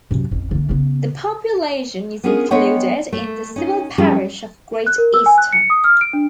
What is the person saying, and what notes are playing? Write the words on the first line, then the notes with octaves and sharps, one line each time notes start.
The population is included in the civil parish of Great Easton.
F#2 C3
A1 F2
D3 A#3
C#3 B3
B3 C#4 D4 F4 G#4 A#4
G#3 B3 D4 C#5 F#5 G5
A3
C#4 D#4
F3 G3 C#4 G#4 A4
F#6
A#4
E6
G#5
F#6
C#7
D#6
F6
D7
D4